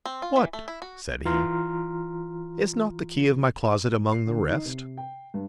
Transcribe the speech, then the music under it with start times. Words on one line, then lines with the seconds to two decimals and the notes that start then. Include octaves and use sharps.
"What," said he, "is not the key of my closet among the rest?"
0.06 C4
0.22 F4
0.36 E3
0.53 A3
0.68 E4
0.82 F#4
1.25 E3 F4 A#5 C6 F6
4.12 C7
4.27 D3
4.48 D#4
4.65 C3
4.97 G5
5.34 G2